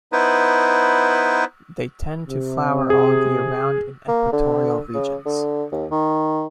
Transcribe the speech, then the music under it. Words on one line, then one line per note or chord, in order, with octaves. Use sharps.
They tend to flower all year round in equatorial regions.
B3 D#4 E4 B4 C5
C3
G#4
A#3
D3
C#3
D3
D#2
D#3